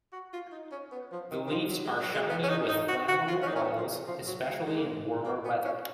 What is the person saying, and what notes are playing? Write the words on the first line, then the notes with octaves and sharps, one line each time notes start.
The leaves are shiny with flammable oils, especially in warmer weather.
F#4
F4
D#4
C#4
B3
F3
D#3
D#3
F3
F#3
G#3
F#3
G#3
B3
C#4
D#4
D#4
F#4
F#4
F4
C#4
D#4
C#4
B3
F3
C#3
F3
F#3
G#3
G#3
A#3
G#3
A#3
B3
C#4